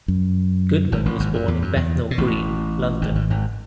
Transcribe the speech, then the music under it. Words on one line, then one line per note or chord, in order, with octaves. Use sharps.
Goodman was born in Bethnal Green, London.
F#2
G#1 G#2
A1 A2
G#1 G#2
F#2
E2
F#2
E2
B2
A1 A2
G#1 G#2
G#1 G#2
G#1 G#2